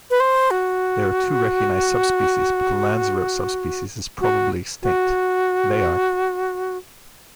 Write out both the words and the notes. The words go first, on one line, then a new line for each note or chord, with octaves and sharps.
There are two recognised subspecies but the Lanzarote subspecies is probably extinct; they are.
B4
C5
F#4
F#4
F#4